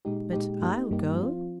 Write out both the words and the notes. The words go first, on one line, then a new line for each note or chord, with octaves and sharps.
But I'll go.
A#2 G#3 D#4 G4
A#2 G#3 D#4 G4
G2 G3 A#3 D#4 G4
G2 G3 A#3 D#4 G4
F3 C4 F4